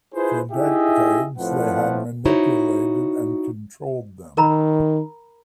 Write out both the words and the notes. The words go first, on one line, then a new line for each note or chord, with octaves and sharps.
For decades they had manipulated and controlled them.
E4 F4 G#4 B4 C5
D#4 E4 G4 G#4 D#5 E5
F2 A2 F3 A3 B4 F#5
D#4 E4 F#4 C5 C#5
D#3 A#4 A#5 B5